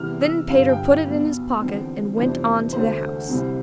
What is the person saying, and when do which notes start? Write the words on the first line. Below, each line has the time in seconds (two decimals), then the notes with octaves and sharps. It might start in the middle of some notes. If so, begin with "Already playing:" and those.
Then Peter put it in his pocket and went on to the house.
Already playing: E2 C3 E3 G3 F6
0.21 E6
0.49 G1 G2 D3 F5
0.69 G5
0.77 F5
1.05 B1 B2 B3
1.61 E2 D3 F3 C4
2.16 F2 C3 E3 B3 D4 C5
2.73 E1 D2 D3 A3 C5
3.28 C2 C3 G3 C4